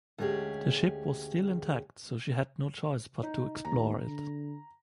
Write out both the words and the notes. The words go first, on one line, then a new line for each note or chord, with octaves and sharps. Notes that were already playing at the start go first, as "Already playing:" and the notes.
The ship was still intact so she had no choice but to explore it.
D2 G#3 C#4 G4 G#4
D#4
D#2 A#5
D3